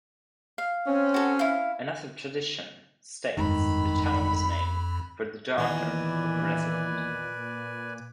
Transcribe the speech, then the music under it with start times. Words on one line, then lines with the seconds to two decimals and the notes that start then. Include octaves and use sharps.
Another tradition states the town was named for the daughter of a resident.
0.58 F5
0.87 C4 C#4
1.14 F#4 A4
1.39 E4 F5
3.37 G1 F2 G#2 D#3 B5
5.58 E2 A#2 D#3 E3 B4 D5 G#5